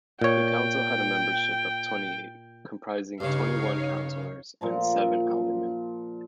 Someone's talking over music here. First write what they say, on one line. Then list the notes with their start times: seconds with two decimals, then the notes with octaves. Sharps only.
The council had a membership of twenty-eight, comprising twenty-one councillors and seven aldermen.
0.22 A#2 C#5 G5
3.20 G2 C#3 D#4 C#5 F5
4.61 A#2 F3 A#5